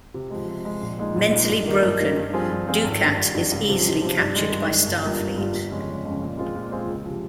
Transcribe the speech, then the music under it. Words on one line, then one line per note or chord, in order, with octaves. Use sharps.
Mentally broken, Dukat is easily captured by Starfleet.
C3
F3 G#3
C3
F3 G#3
A#1
A#2 G#3 D#4
A#1
A#2 G#3 D#4
G2
D#3 A#3 D#4
G2
D#3 A#3 D#4
G2
F3 C4 F4 G#4
G2
F3 C4 F4 G#4
G#1
G2 D#3
G#1
G2 D#3
C#2
C3 F3
C#2
C3 F3
G2
D#3 G#3
G2
D#3 G#3
G1
G2 G3 A#3 F4
G1
G2 G3 A#3 F4
G1
F2 C#3 G#3 C#4
G1
F2 C#3 G#3 C#4
A#2
G#3 C4 F4 G#4
A#2
G#3 C4 F4 G#4
C#2
C3 F3